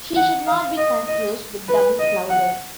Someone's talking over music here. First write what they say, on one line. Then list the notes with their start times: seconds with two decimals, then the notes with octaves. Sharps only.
He should not be confused with Doubleclouder.
0.16 F#5
0.46 F5
0.77 D#5
1.07 D#5
1.69 B4
1.99 D#5
2.29 F#5